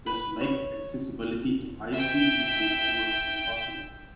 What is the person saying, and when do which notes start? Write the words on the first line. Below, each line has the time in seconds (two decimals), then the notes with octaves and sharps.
This makes accessibility to high speed internet almost impossible.
0.06 B4
0.41 C#5
1.93 E5 G5